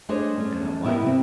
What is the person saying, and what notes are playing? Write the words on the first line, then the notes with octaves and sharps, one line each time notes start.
And I'm like,
A3 D4 G#4 C5 C#5 D#5
A3 C#4
B2 B3 E4 F4 G4 A#4
C3 C4